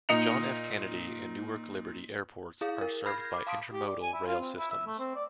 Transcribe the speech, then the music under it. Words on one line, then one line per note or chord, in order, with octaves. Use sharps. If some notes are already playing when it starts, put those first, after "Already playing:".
John F. Kennedy and Newark Liberty airports are served by intermodal rail systems.
A#2 D#4 D#5 C#7 F7
E4 G#4 F5
A#4
B5 F6 G6 G#6 A#6 C7
D6
F5 A5 C6 D#6 B6 D7
G4
D5
G#5
E4
F4
C4
E4
E5
A3
C4
D5